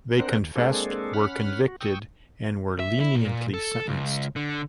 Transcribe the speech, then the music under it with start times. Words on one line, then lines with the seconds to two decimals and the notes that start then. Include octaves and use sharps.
They confessed, were convicted, and were leniently sentenced.
0.19 C4 D4 A#4 C5 F#5
0.39 D#2
0.56 G#3 A#3 C4 D4 G#4 A4
1.14 C#4 F#5 B5 F6
1.68 F#4
1.81 G5 C#6 D#6 E6
2.80 E5
3.00 E4
3.15 A#2
3.54 A4
3.88 C#2
4.36 D3